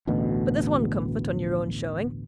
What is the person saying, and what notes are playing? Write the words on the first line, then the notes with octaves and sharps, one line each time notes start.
But there's one comfort, on your own showing.
A1 D2 B2